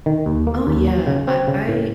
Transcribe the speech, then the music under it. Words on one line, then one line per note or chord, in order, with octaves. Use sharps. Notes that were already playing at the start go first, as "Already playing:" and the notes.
Oh, yeah, I I
D#3
D#2
A#3
D#2
F#3
C#3
C4
C#3
A2